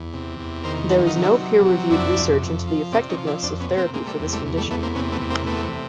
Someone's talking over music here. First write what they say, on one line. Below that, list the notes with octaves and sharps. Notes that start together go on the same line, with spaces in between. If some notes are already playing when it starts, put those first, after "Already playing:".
There is no peer reviewed research into the effectiveness of therapy for this condition.
Already playing: E2
C3
E2
D#3 A#4 C5
F#3 A4 B4
D#4 F4
C3
D4 E4
F#3
C3
F2 D4 E4
F2
F2
F3
C3 C4 D4
C#4 D#4
F3
D4 E4
F2 C4 D4
B3 C#4
C3
A#3 C4
C3 G#3 A#3
G3 A3
E2
G3 A3
E2
G3 A3
E2 A3 B3
A#3 C4
C3 B3 C#4
A3 B3
E2
A#3 C4
C3 A3 B3